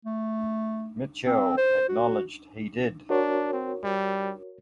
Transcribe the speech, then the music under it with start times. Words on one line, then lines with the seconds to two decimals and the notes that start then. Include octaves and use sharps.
Mitchell acknowledged he did.
0.05 A3
1.27 C4
1.57 C5
1.89 F#4
3.10 D4 F#4 A#4 C#5
3.53 C4
3.84 G3